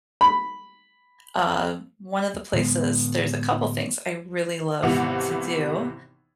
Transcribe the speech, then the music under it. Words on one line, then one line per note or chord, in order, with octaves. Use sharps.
uh, one of the places there's a couple things I really love to do,
B5
A2 D3 G#3 B3
G#1 C3 E3 B3 F#5 F7